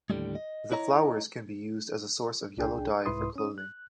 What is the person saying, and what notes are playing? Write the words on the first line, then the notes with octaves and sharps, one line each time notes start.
The flowers can be used as a source of yellow dye for clothing.
D#2 A2 D3 G3 G#3
D#5
E4 C#5 D#5 A#5
C2 D4 G#4 G5
C2 G#2 E4 B4 C6 D#6
C#4 D#6
F#6